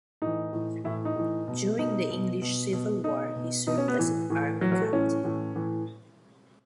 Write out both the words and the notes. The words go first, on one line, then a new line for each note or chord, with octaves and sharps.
During the English Civil War he served as an army captain.
A2 E3 D#4
A2 E3
A2 E3 E4
D#4
A2 E3
B2
B2 D#4
B2
B2
B2
B2 D#4
B2
B2 D#4
C#4
B3
A2 E3
A2 E3
A2 E3 F#3
F#3
A3
A2 E3 C#4
A2 E3
A2 E3